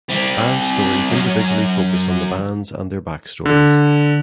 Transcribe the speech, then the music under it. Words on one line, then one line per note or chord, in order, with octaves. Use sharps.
Band stories individually focus on the bands and their backstories.
G3 C4
F#2 C#4
D3